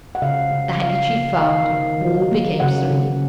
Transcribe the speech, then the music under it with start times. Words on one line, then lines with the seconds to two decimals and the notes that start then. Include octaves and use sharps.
The handkerchief found, all became serene.
0.15 F#5
0.22 C#3 F5
0.52 C#3
0.81 F3 F5
1.11 A#3
1.41 D#3 F5
1.71 D#3
2.01 F#3
2.31 A#3
2.60 C#3 F#5
2.91 C#3